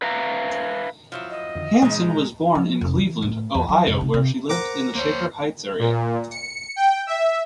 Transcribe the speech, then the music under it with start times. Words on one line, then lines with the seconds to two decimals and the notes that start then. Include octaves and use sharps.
Hanson was born in Cleveland, Ohio, where she lived in the Shaker Heights area.
0.02 B4 E5 F5 A#5
1.12 F3 F#3 E4
1.30 D#5
1.55 F2 D3 D#3
1.82 A#2 C#3 E3 G#3 D#4
2.08 A#5
2.55 F3
2.81 F1
2.98 E3
3.22 A2
3.55 E2
3.69 F#3
3.87 F1
4.01 C3
4.14 C3
4.49 A#4 C5 F#5 A#5 D6
4.95 D2 A#3 C5 C#5
5.79 A#2
6.31 C#7
6.76 G5
7.07 E5